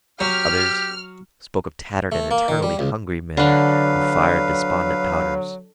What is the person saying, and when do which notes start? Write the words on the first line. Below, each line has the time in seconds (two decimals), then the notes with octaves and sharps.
Others spoke of tattered and eternally hungry men who fired despondent powders.
0.20 F#3 G4 F6
2.12 A3
2.31 A#3
2.48 D#3
2.63 G3
2.79 C#2
3.37 D3 F#3 D4 B4 F5